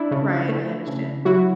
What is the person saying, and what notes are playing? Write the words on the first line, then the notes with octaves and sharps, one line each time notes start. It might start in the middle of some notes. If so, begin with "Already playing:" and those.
Right. I understand.
Already playing: D4 E4
C#3
A3
C#3
F#3 E4 F#4